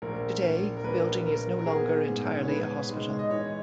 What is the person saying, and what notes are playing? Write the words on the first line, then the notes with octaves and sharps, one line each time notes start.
Today, the building is no longer entirely a hospital.
A#1 A#4
A#1
A#4
A#1 B4
A#1 A#4
A#4
B3 G#4
G#2
C#5
G#2 B4
G#3
D#5
E3 C#5